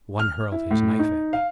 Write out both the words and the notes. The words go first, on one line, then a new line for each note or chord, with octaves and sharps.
One hurled his knife at me.
F6
E4
A2
D#4
F5